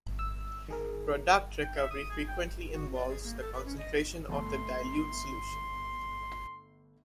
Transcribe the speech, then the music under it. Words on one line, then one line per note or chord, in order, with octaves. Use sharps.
Product recovery frequently involves the concentration of the dilute solution.
E6
D#3 G#4 A#4
G5
E5
D#6
G#4
G5
F#4
D5
G#4
A#3
A4
B4
C#4
D#5
G1 A3 A5 C6